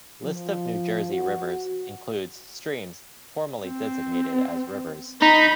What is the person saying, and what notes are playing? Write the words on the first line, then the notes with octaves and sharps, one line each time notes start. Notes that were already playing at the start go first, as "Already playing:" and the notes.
List of New Jersey rivers includes streams formally designated as rivers.
F3
F#4
C4
D#4 B5